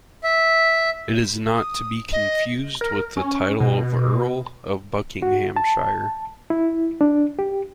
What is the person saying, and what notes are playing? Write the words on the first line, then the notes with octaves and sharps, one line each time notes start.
It is not to be confused with the title of Earl of Buckinghamshire.
E5
D#6
D#5
A#4
C#4
B2
F#4
A5
E4
D4
G4